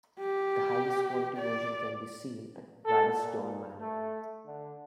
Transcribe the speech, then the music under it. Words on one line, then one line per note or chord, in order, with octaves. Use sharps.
The highest quality version can be seen at Waddesdon Manor.
G4
D5
A4
A#2
A3
D3